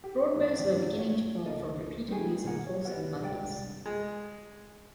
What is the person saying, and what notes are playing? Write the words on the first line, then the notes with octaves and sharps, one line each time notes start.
Roadways were beginning to form from repeated use of horse and buggies.
G4
A1
D2
A1
C#5
C#2 A#3 D4 A4 D#5
G3 A3 D#4 G4 G#4
B1 D#3 A#3 G#4 F#5
C#5
B3 G4 F#5
C2 G3 G#3 A4 D5 G5
G#3